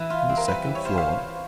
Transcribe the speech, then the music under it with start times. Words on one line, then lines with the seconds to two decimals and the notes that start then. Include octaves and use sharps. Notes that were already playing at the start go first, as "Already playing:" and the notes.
"On the second floor?"
Already playing: E3 B4
0.10 F4
0.29 C4
0.37 A#4
0.48 G3 B4
0.66 E3
0.75 C#5
0.85 F4 C5
0.98 F5